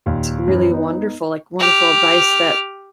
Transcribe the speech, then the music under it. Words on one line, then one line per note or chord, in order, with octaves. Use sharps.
really wonderful, like, wonderful advice that,
D#2 A#2
F#2 E3
B3 D#4
G4 F6